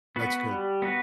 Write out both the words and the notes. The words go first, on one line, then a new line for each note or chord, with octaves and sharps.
That's good.
B3 F#4 B4
G3
B3 F#4 B4